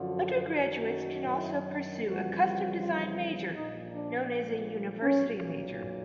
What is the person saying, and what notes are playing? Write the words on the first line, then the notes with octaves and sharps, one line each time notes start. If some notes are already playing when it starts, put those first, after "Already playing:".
Undergraduates can also pursue a custom-designed major, known as a University Major.
Already playing: F#2 D3 F3 F#4
F#2 D#3 F#3
E4
F2 C#3 E3 G3 F#4
F4
A#1 A#2 F3 D#4
D4
B1 A#2 F#3 C#4